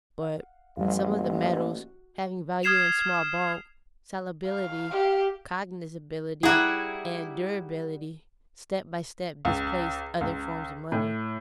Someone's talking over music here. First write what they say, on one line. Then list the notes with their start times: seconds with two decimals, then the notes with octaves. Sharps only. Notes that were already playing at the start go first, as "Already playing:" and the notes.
But some of the metals, having value in small bulk, salability, cognizability, and durability, step by step displaced other forms of money.
0.22 F5 F#5
0.77 A1 F#2 F3 G3 F5
1.08 A#3
1.77 F#4
2.63 D#6 F6 G#6 C7 E7 F7
4.47 F5
4.91 G4
6.43 G3 E4 F#4 G#4 A#5
9.45 C#2
10.21 C#2
10.92 A2